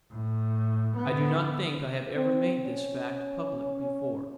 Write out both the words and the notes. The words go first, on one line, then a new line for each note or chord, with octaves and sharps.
I do not think I have ever made this fact public before.
A2
D3 B3
C4
C#4